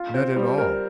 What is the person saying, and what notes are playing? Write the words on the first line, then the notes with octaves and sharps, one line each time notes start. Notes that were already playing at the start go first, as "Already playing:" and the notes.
Not at all.
Already playing: F4
C4
G3
A#4